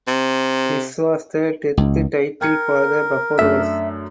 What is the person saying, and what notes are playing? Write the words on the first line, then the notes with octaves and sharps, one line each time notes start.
This was the tenth title for the Buffaloes.
C3
C#2
A#4 G5 G#6 C#7
F#2 A3 D4 E5